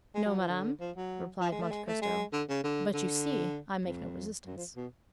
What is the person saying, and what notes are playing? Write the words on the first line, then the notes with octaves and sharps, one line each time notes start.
"No, madame," replied Monte Cristo; "but you see I make no resistance."
G#3
F#3
F3
D3
F3
F#3
F3
G#3
A3
G#3
A3
G#3
D3
C#3
D3
D3
F2
F#2
F3
B2